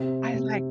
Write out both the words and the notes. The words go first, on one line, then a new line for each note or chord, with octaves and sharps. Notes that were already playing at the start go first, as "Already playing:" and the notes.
I was like
Already playing: C3
C3